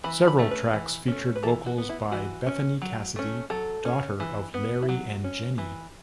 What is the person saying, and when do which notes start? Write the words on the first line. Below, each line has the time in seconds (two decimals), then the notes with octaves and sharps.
Several tracks featured vocals by Bethany Cassidy, daughter of Larry and Jenny.
0.04 E3 B5
0.28 B5
0.39 A3 C#4
0.51 B4
0.73 E3
1.08 A3 C#4
1.36 B4
1.43 E3 A4
1.66 F#4
1.78 B3
1.89 E4
2.12 E3 F#4
2.47 C#4
2.82 F#3
3.16 A3 C#4
3.50 F#3 A4
3.85 C#4
4.20 E3
4.54 B3
4.83 E4
4.89 F#3 F#4
5.24 C#4
5.58 E3